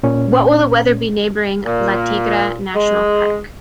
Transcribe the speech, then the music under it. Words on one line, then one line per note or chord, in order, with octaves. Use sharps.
What will the weather be neighboring La Tigra National Park?
A#2 C#4
A#2
G#3